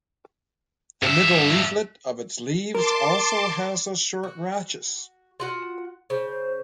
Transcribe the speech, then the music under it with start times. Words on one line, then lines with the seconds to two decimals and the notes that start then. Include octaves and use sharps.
The middle leaflet of its leaves also has a short rachis.
1.03 G2 E5
2.75 A#4 A5 C6 D6
4.23 F#4
5.40 F4 F#4 F#5
6.10 C#3 C5